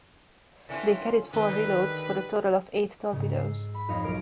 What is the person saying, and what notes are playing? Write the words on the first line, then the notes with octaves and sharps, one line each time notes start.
They carried four reloads, for a total of eight torpedoes.
G2 D3 E3 C#4 F4
D#3 C4 B4
D3 D#4 G4
G#2 C#3
E6 C7
B5
F2 D#4 C#5 F5
B1 A#4 F6 D7